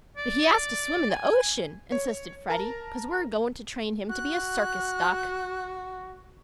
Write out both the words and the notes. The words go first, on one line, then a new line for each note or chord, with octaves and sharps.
"But he has to swim in the ocean," insisted Freddie, "'cause we're going to train him to be a circus duck."
D5
G#5
C#5
A#4 A5 A#5
F#4 F#6